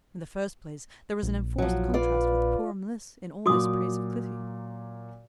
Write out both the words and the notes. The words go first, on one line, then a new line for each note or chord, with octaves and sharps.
In the first place, there was an enforced contrast with poor Mliss in all this praise of Clytie.
A#1
F3 F#3
F4 B4 D5
A#2 F#3 F#4 C6 D6 D#6